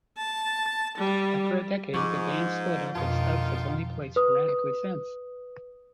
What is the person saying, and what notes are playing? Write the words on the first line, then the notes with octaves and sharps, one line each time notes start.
After a decade, the band split up and Stubbs has only played sporadically since.
A5
G3
G#2 F3 C#6 D6
F2 B2 D3 D#3 F4
B4 D#6